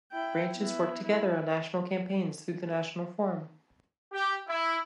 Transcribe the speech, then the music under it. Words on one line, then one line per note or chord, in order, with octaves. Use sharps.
Branches work together on national campaigns through the national forum.
E4 G5
B3 E4
E4
G4
E4